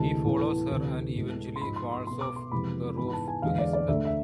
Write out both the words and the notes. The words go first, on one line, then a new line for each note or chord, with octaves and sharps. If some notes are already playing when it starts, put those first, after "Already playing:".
He follows her and eventually falls off the roof to his death.
Already playing: D2 C3 E3 G#3 A5
A2 E3 B3
D2 C3 E3
A2 G#3 B3
C6
G#2 F3 G#3 B5
C6
C6
B2 B3 C6
D6
C6
F2 C3 E3 G#3 B3 B5
G#2 E3 B3 B5
B5
A5
G#5
E2 D3 G#3 B3 F5
D5
D5
D2 D3 A3 E5
E5